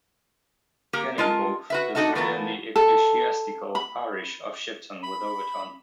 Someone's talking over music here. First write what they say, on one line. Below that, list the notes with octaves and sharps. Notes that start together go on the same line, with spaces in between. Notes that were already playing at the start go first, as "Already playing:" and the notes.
Beningbrough is within the ecclesiastical parish of Shipton with Overton.
A#3 G4 A#4
G#3 F4 A#4 A5
F#4 B4 E5
D4 D#4 F#4 A4 E5
E3 A3 B3 F4 A4 A#4
A4
B5
B5